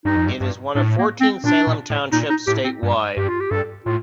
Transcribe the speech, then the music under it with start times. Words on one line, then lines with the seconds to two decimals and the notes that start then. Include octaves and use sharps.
It is one of fourteen Salem Townships statewide.
0.05 G2 D#4
0.16 F2
0.27 G2
0.40 G2
0.75 A2 D4
0.98 A#3
1.21 C4
1.44 A#2 D4
1.67 A#2
1.90 A2
2.12 A#2 D#4
2.30 D#4
2.47 A2 G4
2.64 C4
2.83 G2
3.17 G2 G4
3.28 F4
3.40 G4
3.51 G2 A4
3.86 A2 F4